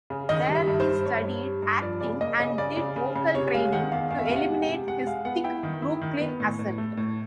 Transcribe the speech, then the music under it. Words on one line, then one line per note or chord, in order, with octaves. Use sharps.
There he studied acting and did vocal training to eliminate his thick Brooklyn accent.
C#3
D#3 D#5
G3
E5
G2
C5
G3
G2 C#5
G2
G3
G2
F3 D5
C#3 D5
A#3 D#5
C#3 D#5
C#3 D5
C#3
C#3
C#3
C3 C#5
G#3 F5
D#3 F#5
E2 F5
E2 F5
E5
F5
C3
F#5
G#3
G5
C3
G#3 F#5
G#3 F5
B3 F#5
E4 G5
D#3
E4
D#3
B3
A2
A2
A3
A2